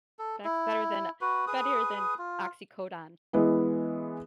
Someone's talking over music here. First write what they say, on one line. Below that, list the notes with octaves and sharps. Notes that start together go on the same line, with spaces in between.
That's better than better than oxycodone.
A4
E4
F#4 B4
G#4 B4 D#6
F4
E3 G#3 B3